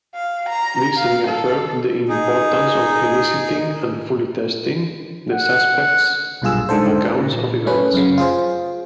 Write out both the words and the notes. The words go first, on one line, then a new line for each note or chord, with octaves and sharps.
This reaffirmed the importance of eliciting and fully testing the suspects’ accounts of events.
F5
A#5
F5
A4
D#4 G#4
F#5
B1 G2 A#2 F4 G#4 E6
G#2 D3 A4 C5
A#2
A3 C#4 B4
F#2 C#3
F4 G#4 C5